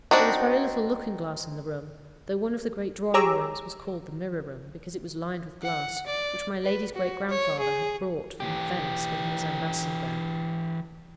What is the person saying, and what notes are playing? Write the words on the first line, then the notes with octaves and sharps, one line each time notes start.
There was very little looking-glass in the room, though one of the great drawing- rooms was called the "Mirror Room," because it was lined with glass, which my lady's great-grandfather had brought from Venice when he was ambassador there.
C4 D4 D#4 F#4
G4 G#4 C#5 A#5 D6 E6
F#5
D5
B4
F#4
C#5
G#4
E3 G4